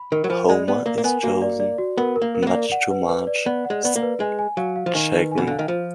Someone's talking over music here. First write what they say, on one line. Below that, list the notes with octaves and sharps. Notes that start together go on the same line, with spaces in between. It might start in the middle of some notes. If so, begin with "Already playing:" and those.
Homer is chosen, much to Marge's chagrin.
Already playing: B5
D#3 A#4
F#3
F3 B5
G#3 D5
B3 D5
A#3 A#4
A#3
B3 G#5
A#3 F#4
D5
D5
F#4
B3 A#4
A#4
A#3
A#4
B3
A#3
D5
F#5
B4
B4
D5
B3 D5
F#5
G#3
B3 D5
A#3
B4
G#3 G#5
G#5
F#3 F5
F5
F3
D#3 G#5
B4
G#5
B2
D3 F5
D#3
F3 F4